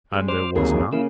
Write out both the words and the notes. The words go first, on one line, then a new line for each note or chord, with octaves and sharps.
"And there was none?"
G3 G#3 C#4
C5 D6 F6
D2 C3 D#3 F#3 A#3 G#4 A#4
C#3 A#3 E4 E6